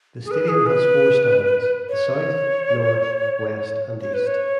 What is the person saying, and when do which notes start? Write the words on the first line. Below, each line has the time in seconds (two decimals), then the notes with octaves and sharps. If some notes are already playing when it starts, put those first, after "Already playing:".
The stadium has four stands: the south, north, west and east.
0.25 G#4
0.31 B4
0.48 G#4
0.66 B4
1.89 C#5
4.00 C#5
4.14 B4
4.27 C#5